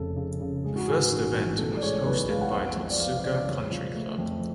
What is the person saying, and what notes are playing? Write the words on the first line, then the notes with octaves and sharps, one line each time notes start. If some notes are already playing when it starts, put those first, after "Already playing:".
The first event was hosted by Totsuka Country Club.
Already playing: F1 C#3 A4
C#3
C#3
G#3 G#4
F#4
G#2 G#4
A1
A1
B2 A4
D5
G#3 C#5
B1 B4
B4
G#3 F5
F#5
F2
F2
D5
B3 F5
F5
C#3 D5
F2 C#5
F3
A3
F2